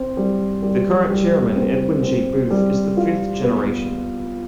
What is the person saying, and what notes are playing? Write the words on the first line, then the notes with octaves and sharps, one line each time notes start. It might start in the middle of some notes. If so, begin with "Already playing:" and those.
The current chairman, Edwin J. Booth, is the fifth generation.
Already playing: C4
G3
G3
G3
C4
C4
G3
F4
B3